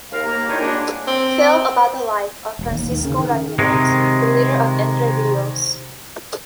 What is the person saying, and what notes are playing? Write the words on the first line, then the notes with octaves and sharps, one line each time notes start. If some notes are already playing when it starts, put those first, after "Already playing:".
Film about the life of Francisco Ramírez, the leader of Entre Ríos.
D#2 A#4 F5
D#2 A#3 A#5
A#2 D#3 D4 E4 C5 C#5
F#3 G#3 A#3 D4
C4
E1
D#2
D#3
C#3
D#3
C3 D#3 G#3